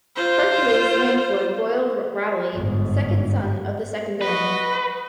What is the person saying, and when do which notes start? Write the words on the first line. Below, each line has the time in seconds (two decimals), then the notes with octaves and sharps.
Hercules Langford Boyle Rowley, second son of the second Baron.
0.16 F4 C5
2.54 G1 G#2
4.21 F#4 B4 D#5